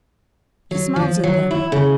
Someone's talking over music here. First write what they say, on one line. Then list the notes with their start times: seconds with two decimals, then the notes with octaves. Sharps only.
He smiles at them.
0.71 F#3
0.96 F3
1.23 F#3
1.51 E4
1.72 C#3